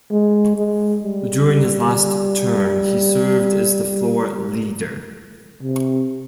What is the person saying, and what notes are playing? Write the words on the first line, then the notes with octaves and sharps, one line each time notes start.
During his last term, he served as the floor leader.
G#3
G#3
G3
C3